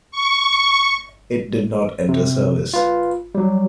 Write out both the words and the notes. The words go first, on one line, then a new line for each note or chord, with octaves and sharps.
It did not enter service.
C#6
C3
F4 B4
F#3 G3